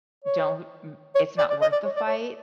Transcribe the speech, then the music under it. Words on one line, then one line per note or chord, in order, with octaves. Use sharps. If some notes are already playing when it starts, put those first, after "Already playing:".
don't, n it's not worth the fight,
C#5
C#5
D5
D5
D#5
D5
C#5
D5
C#5